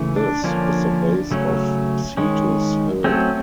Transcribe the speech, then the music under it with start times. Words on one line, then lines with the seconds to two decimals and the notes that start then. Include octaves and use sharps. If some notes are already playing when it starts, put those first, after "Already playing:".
This is the base of Cetus Hill.
Already playing: C#3 E3 A3
0.16 D4
0.44 D3 F3 A#3 C#4 D4
1.31 C#3 F#3 A3 C#4
2.17 D#3 G#3 C#4
3.04 F#3 A3 C4 C#4